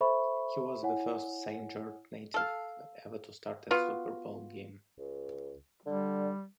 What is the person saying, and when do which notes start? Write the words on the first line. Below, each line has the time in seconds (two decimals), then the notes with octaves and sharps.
He was the first Saint George native ever to start a Super Bowl game.
0.01 A4 C5 E5 B5 C#6
0.83 E4 C#5 F#5 G#5
2.34 A4 F5
3.71 B3 F4 F#4
4.98 C#2
5.86 D3 G3